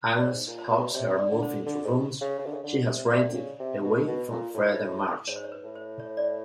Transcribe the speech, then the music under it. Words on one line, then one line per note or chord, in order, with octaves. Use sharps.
Agnes helps her move into rooms she has rented away from Fred and Marge.
D5
G#2 C#5
A#2
C5
B2
C3 C#5
D5
D3
C5
D3
G#2
C#3
C#3
D3
C#3
D3
C3
C3 D5
D3
C#3
C3
B2
B2
A#2
A2
G#2 C#5
C5
C#5
B4
A2
C5
C#5
D5